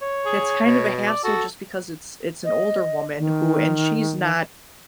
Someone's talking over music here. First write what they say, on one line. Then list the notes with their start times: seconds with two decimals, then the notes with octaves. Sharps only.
it's kind of a hassle just because it's it's an older woman who and she's not,
0.02 C#5
0.26 G#4
0.63 B2
1.07 D5
1.24 F#4 A4
2.45 D#5
3.19 D#3